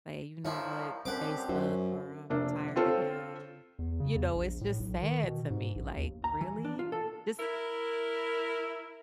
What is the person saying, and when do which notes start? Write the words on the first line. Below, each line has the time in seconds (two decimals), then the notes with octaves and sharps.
say, "You know what? They suck," or "I'm tired of them," you know, it's just sad to me. Like, really? This
0.45 C2 D#3 F3 C#4 E4 E5
1.05 D3 F3 C4 C#4 G4 A#4 F#5 D6
1.49 F#2 F#4 C5 E5
2.30 F1 A#3 D4 E5
2.76 C4 F4 A4 C5 C#5
3.79 E2
4.00 C#3
4.16 E2
4.35 A#1
4.61 A2
4.80 B1
5.02 D#3
5.24 B2
5.50 G#2
5.75 A#1
5.97 D#2
6.24 A#5
6.41 E3
6.65 D4
6.79 F4
6.92 A4
7.40 E4 A#4